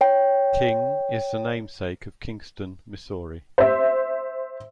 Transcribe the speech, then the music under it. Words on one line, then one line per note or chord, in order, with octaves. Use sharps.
King is the namesake of Kingston, Missouri.
C#5 G5
C5 E5